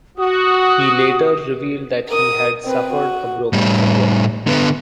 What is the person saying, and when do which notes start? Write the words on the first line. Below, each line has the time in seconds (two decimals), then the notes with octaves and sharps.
He later revealed that he had suffered a broken finger.
0.18 F#4 D#6
2.09 A#4 D#6
2.65 C4 B4
2.93 F#4
3.53 A2 G3
4.47 D3 B3